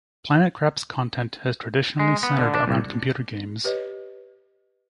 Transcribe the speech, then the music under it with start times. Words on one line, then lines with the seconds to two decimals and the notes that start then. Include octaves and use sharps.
PlanetCrap's content has traditionally centered around computer games.
1.99 G#3
2.23 B3
2.39 D3
2.55 D4
2.68 C2
3.64 G4 B4 C#5 D#5